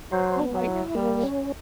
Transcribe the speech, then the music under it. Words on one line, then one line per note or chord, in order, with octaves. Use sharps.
oh my gosh.
F#3 C5
B3
F#3
E4
G3 A#3
C#4